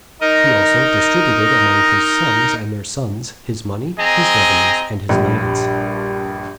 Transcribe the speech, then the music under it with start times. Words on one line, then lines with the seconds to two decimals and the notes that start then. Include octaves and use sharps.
He also distributed among his sons and their sons his money, his revenues, and his lands.
0.21 D#4 A#4 D#5
3.99 C4 G#4 D#5 A#5
5.09 A#1 G2